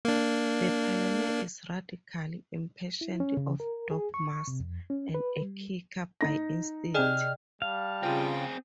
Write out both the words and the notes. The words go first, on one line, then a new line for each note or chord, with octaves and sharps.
The pioneer is radical, impatient of dogmas, and a kicker by instinct.
A#3 D4
E4
C#4
C#3
A#4
G#4
C#6
C3
F2
C#4
B4
G3
D#4 A#6
C3 G#4 D5 D#5 G5 F6
G3 F5 A5
C#3 C4 F4 G#4 G5